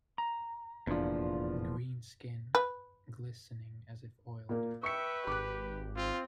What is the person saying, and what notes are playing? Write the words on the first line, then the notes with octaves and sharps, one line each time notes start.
Green skin, glistening as if oiled.
A#5
F1 E2 A#2 F3 D4 F4
B4
A#2 A#3
B4 E5 G5 C#6 C#7
G#1 G4 D6 F#6
C4 F4